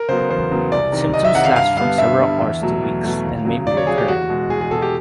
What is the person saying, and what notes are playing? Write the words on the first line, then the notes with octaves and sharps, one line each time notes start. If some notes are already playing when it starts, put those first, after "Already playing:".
Symptoms last from several hours to weeks and may be recurrent.
Already playing: A#4
C#3 F#3 B3 C5
E2 C5
C#3 F#3 B3
C2 D5
C3 D#3
C2 D#5
E5
C3 D#3 F#5
F5
G2 F5
D3 G3 B3 F5
G2 E5
D3 G3 B3
E2
B2 F#3 A3
E2
B2 F#3 A3
D#2
C#3 F#3
D#2 D5
C#5
C#3 F#3 G#4
G4
E2 F#4
B2 G#3
E2 G#4
G#4
B2 G#3 A4
G4